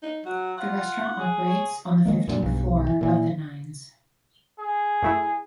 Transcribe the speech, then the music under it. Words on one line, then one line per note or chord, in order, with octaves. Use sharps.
The restaurant operates on the fifteenth floor of The Nines.
D#4
F#3 F#4
F4 F#5
G#4
C#5
D#3 G#3 A#3
F#2 A#2 D3
B1 G2
E3
A#2 E3
G#4
F#2 A3 E4